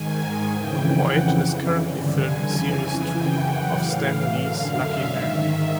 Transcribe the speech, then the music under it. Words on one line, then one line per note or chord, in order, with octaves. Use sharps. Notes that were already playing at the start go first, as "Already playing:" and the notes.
Boyd is currently filming series two of Stan Lee's Lucky Man.
Already playing: G#2 D#3 G#5
F2 C#3 E3 G5
F#5
F2 C#3 E3
G2 D3
G#5
F2 C#3 E3 G#5
G#5
F#2 C#3 E3 G5
F#5
A2 E3 F5
F#2 D3
E5
G#2 D#3